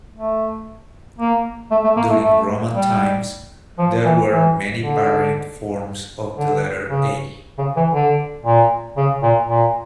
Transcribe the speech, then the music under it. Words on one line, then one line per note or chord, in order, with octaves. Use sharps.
During Roman times, there were many variant forms of the letter "A".
A3
A#3
A3
A3
A#3
A3
A3
G3
F3
E3
E3
D3
D3
C#3
C#3
E3
D3
A#2
C#3
A#2
A#2